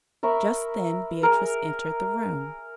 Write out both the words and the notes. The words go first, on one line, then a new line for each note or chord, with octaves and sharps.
Just then Beatrice entered the room.
A#4 E5 B5 C#6
G#4 A#4